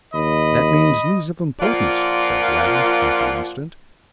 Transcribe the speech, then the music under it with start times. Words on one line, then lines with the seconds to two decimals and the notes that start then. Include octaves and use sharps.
"That means news of importance," said Webb, at the instant.
0.14 D#2 D#5 B5
1.60 A#2 F3 A#3 F4 D5 F#5